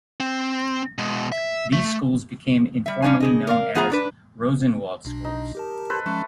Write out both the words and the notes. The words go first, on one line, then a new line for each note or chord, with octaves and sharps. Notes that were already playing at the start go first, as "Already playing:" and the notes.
These schools became informally known as Rosenwald Schools.
C4
B2 G#3
E5
A3
G3 E5
G3 C#4 D4 F5 G#5
C#3 G#4 D#5
A#4 D5 F5
F3 B3 F4 G#4 F#5 A#5
G#2 D4 B4
B1 B2 D4
D#4
G4 A#4 A5
A4 B4 C5
F3 G#3 A3 C#4